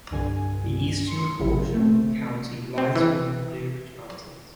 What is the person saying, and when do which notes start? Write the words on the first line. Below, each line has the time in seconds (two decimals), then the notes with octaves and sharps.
The eastern portion of the county lies within the Blue Ridge Mountains.
0.11 C2 G2 D3 G#5
1.07 C6 C#7
1.40 A1 F#2 C#3 E4
1.74 A3 C4
2.78 C4
2.95 E3